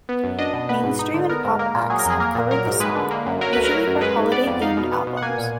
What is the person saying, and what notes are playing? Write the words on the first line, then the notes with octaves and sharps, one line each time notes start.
Mainstream and pop acts have covered the song, usually for holiday-themed albums.
B3
F#2
D4 D#5
B2
B3 B4
G#2
D#4
D3
B3 A#4
G#2
A#3 A#4
A#2
F#3 G#4
A#4
F2 G#4
A#3 A#4
A#2
F#3 A#4
G#2
G#3 B4
D3
A#3
F#2
F#3 A#4
D2 B4
A#4
F#3
F#2
G#3 B4
G#2
B3 D5
F2
D#4 F5
B2
B3
B2
F#5
A#3 G#5
A#2